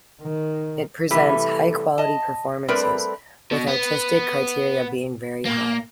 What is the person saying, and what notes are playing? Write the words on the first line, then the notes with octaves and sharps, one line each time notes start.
It presents high quality performances, with artistic criteria being very high.
D#3
C3 E3 G3 A3
D#5 A5
G3 A3 C4 A#4 B4 D5
B2
B3
A#3